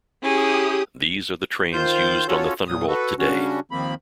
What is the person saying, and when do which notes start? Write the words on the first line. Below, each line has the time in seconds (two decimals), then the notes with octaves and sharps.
These are the trains used on the Thunderbolt today.
0.22 C#4 E4 G4 G#4 D#6
1.73 D#3 F4 C5 G6
2.28 C#4 F4 F#4 A4 C#5
2.67 E2 A#2 F#3 D#6
2.88 F#4 A4 B4
3.19 C#3 G3 C#4 D4 F#4
3.71 D#2 D#3 F3 A#3 C4 B5